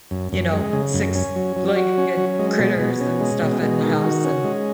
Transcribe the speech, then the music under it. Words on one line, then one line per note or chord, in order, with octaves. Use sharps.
you know, six-legged critters and stuff in the house, and
F#2
F#2
G#3
C#3
F#2
C#4
F#3
F#3
F#4
C#4
F#3
G#3
B2
B2
C#4
G#3
B2
G#3
D#3
F#4
C#4
G#3